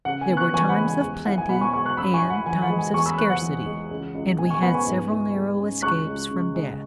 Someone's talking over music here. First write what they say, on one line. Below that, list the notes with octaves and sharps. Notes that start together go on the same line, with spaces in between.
There were times of plenty and times of scarcity, and we had several narrow escapes from death.
C#3 F#5
G#5
B3
C#6 F#6
E3 G#5 C#6
F#5 B5
G#3
G#5
E2
E4 F#5
G#5
B2 F#5 B5
G#5 C#6
G#3 G#5 C#6
C#6 F#6
F#2 B5 E6
G#5 C#6
E4
F#5 B5
E3 G#5
F#5 B5
G#3
G#5
E2 G#5 C#6
B5 E6
E4 C#6 F#6
F#5
E3
G#3
C#2
C#2
B2 G#5
G#5 C#6
B3 F#5 B5
G#5 C#6
G#2
E4
G#3
C#4
C#2 C#6 F#6
C#2
C#3
G#3